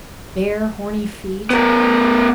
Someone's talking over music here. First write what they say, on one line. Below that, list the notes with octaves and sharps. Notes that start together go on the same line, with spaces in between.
Bare, horny feet.
B3 A#4